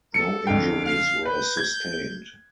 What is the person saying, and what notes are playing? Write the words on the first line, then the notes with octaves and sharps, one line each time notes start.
No injuries were sustained.
A4 C#7
F2 D3 F5 G5
F5
B4 G6
G#6